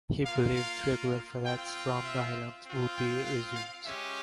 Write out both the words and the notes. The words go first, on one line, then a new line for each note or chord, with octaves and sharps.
He believed regular flights from the island would be resumed.
A#3 F4 F5
F5
C4 F4 G5
G5
E5
C4 F4
G5
F5
F5
G#3 C#4 G4 E5